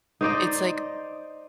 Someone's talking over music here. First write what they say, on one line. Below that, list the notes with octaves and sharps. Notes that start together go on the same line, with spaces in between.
it's like,
D#4 C5 D5 D#5